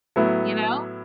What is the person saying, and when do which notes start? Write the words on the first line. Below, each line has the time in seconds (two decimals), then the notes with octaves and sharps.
you know?
0.16 A2 F#3 B3 E4